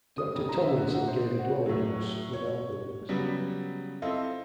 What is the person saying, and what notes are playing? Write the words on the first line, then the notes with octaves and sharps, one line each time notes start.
Doctor Thomlinson gave a dwelling house, with outbuildings.
D#6
F1
A#5
E5
D3
F#4
C5
F#4
A2 F#3
C#5
C#3 F#3 G3 B3
C4 E4 F4 A4 D#5